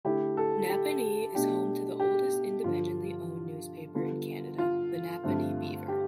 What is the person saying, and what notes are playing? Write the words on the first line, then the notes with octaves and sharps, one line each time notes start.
Napanee is home to the oldest independently owned newspaper in Canada, "The Napanee Beaver".
D3 A3 E4 G4
A4
G4
B2 A3 D4 G4
G4
G2 D3 F3 F4
D3 G3 B3 F4
F4
G2 D3 A3 C4
G4